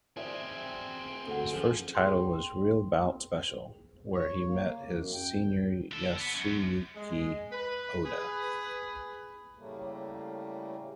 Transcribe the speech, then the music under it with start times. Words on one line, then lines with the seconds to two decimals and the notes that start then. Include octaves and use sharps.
His first title was "Real Bout Special" where he met his senior Yasuyuki Oda.
0.17 C4 G#4 C5 D5 E5 G#5
1.28 D2 A4 F#5
1.53 F#2 F3 G#4 A4
1.95 G#4 G5 C6
4.11 C#5
4.46 A#3
4.76 C#3
4.89 F#2
5.14 G5
5.91 D3 A4
6.20 B3
6.34 F#2
6.96 G#3
7.51 B4
8.05 G#4 B4
9.58 A2 C#3 G3 A3 A#3